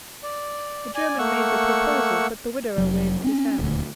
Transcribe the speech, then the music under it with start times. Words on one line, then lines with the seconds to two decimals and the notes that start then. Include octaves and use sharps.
The German made the proposal, but the widower waved his hand.
0.23 D5
0.95 D5 G#5
1.18 A3 A#3 F#5 C#6 E6
2.78 F1 F#3
3.24 C4 C#4
3.59 D#1 D2